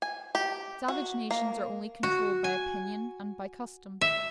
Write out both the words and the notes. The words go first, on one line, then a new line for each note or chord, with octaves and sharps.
Savage nations are only controlled by opinion and by custom.
G#5
G4
F#4
A#3
F#4
G#5
E5